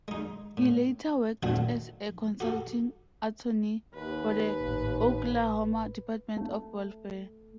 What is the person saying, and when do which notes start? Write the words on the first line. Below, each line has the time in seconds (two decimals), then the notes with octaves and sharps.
He later worked as a consulting attorney for the Oklahoma Department of Welfare.
0.08 G#3 D#4
0.57 A2
1.43 A#2 D3 D#3 A3 C4 F#4
2.40 F#4 G4 A4
3.95 D#2 B4
4.61 G#1 A2
6.37 A3